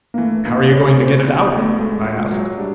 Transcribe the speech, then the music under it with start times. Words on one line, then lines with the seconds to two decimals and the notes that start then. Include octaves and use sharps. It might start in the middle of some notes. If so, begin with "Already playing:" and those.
"How are you going to get it out?" I asked.
0.14 A#3
0.18 E3 A3
0.45 D2 A#3
0.71 C#3 C#4
0.98 D2 C4
1.25 E3 B3
1.51 D2 A3
1.78 G#3 A3
2.04 A#2
2.17 G#3
2.31 F#3
2.58 G3 D4